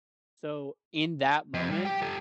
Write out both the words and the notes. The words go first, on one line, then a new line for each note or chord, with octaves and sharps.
So, in that moment,
F2
G3
G4 G5
G4 A4